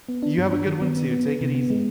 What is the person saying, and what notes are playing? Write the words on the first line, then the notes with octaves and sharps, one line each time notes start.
You have a good one too, take it easy.
B3
D4
G2
D4
D#3
B3
B3
B3
B3
C3
B3
G#3